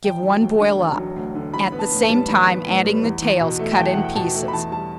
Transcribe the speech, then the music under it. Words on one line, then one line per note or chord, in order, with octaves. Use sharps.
Give one boil up, at the same time adding the tails cut in pieces.
E1 G5
F#3
D2
D3
E1
F#3
D2
D3
A1 B5
B3
A5
A2
A5
G3
A1 B5
B3
A2
G3
E2
E2
B2
A3
G5
E2 A5
E2 F#5
G5
B2 A5
A3
B5
E2 A5
G3 A5